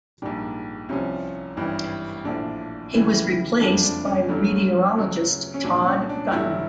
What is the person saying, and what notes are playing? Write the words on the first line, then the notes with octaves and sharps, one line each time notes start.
He was replaced by meteorologist Todd Gutner.
A#1 G#2 D#3 G3 D4
C2 C3 F3 C#4
G#1 G2 E3 G3
A#1 A2 F3 D4
D2 C#3 E3 G3
F#1 F2 D3 F3 D4
D4
C#4
G1 G2 D3 F#3
D2 C#3 F#3
C#4
C2 A#2 F#3 D4
C#4
D4
A1 G2 D3 F#3 E4